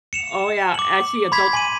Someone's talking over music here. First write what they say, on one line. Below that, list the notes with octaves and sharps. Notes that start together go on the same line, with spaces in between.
o oh, yeah. I see adult
C#7 E7 F7
D6 F#7
B5 C6 G#6 B6
G#5 C6 D#7